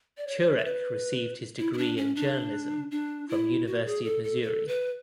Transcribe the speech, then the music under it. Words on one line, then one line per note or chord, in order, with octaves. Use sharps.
Turek received his degree in journalism from University of Missouri.
D5
C#5
C#5
B4
E4
E4
D4
C#4
D4
D4
E4
F#4
G#4
A4
A4
A4
B4